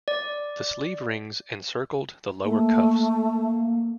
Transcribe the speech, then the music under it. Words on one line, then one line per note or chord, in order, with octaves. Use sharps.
The sleeve rings encircled the lower cuffs.
D5
A3 A#3